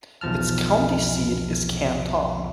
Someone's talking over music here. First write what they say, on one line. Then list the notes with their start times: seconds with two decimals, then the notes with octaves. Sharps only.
Its county seat is Canton.
0.21 B1 E2 F3 A5 F6